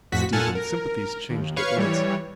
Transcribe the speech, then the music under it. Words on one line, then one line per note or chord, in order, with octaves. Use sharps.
Stephen's sympathies changed at once.
A1 F2 F#4 B6
A#2 A4 F#5 G#5 A5 F6
A#4
D#2
B4 C#5 F5 C#6
E3 G3 C#5